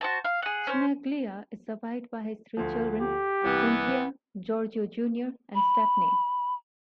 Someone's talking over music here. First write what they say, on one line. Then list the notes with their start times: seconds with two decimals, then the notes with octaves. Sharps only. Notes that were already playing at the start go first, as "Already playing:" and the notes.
Chinaglia is survived by his three children, Cynthia, Giorgio Junior and Stephanie.
0.01 F#4 C5 A5
0.25 F5
0.42 G#4 F#5
0.67 C#4 C5
2.57 D2 F3
3.02 G4
3.44 C2 E3 B3
5.55 B5